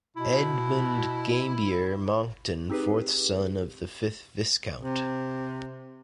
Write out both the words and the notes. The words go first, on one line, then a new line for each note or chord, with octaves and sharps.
Edmund Gambier Monckton, fourth son of the fifth Viscount.
B2 E4
C4 D#4 G4 G#4 B4
C3